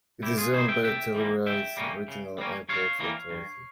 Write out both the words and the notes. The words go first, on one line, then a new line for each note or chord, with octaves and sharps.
It is owned by the Telluride Regional Airport Authority.
C3 E4 G4
F4 G#4
E3 G3 A#3 G#4 C5
E5 G5
C3 E5 G5
E3 G3 A#3
C#3 E5 G5
G3 A#3 C#4
C#3
G3 A#3 C#4
G2 C#5 F5
E3 G3 A#3
G2